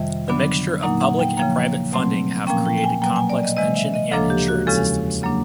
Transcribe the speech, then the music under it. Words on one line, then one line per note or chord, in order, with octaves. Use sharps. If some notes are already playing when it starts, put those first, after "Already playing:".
The mixture of public and private funding have created complex pension and insurance systems.
Already playing: F2 C3 D#3 G3 E5
D3 F#3 B3 D4
A#2 F#3 A#3 D#4 F#5
F#5
G5
C#3 F3 A#3 G5
B2 F#3 A3 C4
A#2 F3 A#3 C#4 G5
G5
G5
G#5
B2 F#3 A#3 G5
G#5
D5
D#5
C3 E3 G#3 D#5
E5
D#5
D2 C#3 F3 A#3 D4 A4
G4
F#4
E2 C#3 F3 G#3 C#4 A4
C#3 F#3 A#3 D4